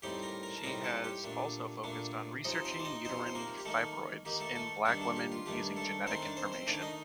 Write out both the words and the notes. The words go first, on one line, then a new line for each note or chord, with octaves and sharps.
She has also focused on researching uterine fibroids in black women using genetic information.
A2 G3 C4 D#4 G4 G5
A#4 A#5
A#4 A#5
A5
A2 G3 C4 D#4 A#4 A#5
A4 A5
G4 G5
A#2 A3 D4
A#2 A3 D4
C3 F3 C4 D#4 D#5
C4 C5
D5
D#4 D#5
C3 F3 C4 D#4 C5
C5
A#3 A#4
G4
D#3 A3 A#3 D#4 A4
D#3 A#3 D#4 G4
A3 A4
A3 A4
G2 D#3 A3 D4 A4
A3 A4
G4
F4
G2 D#3 A3 D4 G4
A3 A4
D#3 A3 C4 D#4 C5
D4 D5
C4 C5
C4 C5
D#3 A3 D4 D#4 D5
D#4 D#5